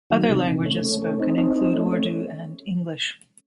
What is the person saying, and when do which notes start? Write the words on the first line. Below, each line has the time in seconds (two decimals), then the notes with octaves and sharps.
Other languages spoken include Urdu and English.
0.10 D#3 F#3
0.29 C3 D#3
0.47 C3 D#3
0.65 A3 C#4
0.83 A3 C#4
1.02 A3 C#4
1.20 C4 D#4
1.38 C4 D#4
1.56 C4 D#4
1.74 A3 C#4
1.86 C4
1.92 A3 C#4